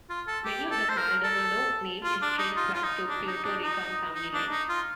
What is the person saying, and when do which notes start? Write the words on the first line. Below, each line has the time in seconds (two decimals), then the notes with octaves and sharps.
Many of the Maldonado name is traced back to Puerto Rican family lines.
0.10 F4
0.27 A4
0.45 G4
0.71 A4
0.89 C5
0.98 A#4
1.24 A4
2.04 F4
2.22 D4
2.38 D#4
2.56 F4
2.74 F4
2.83 D#4
3.09 D4
3.27 D#4
3.44 D4
3.62 D#4
4.15 D#4
4.34 D4
4.51 D#4
4.69 F4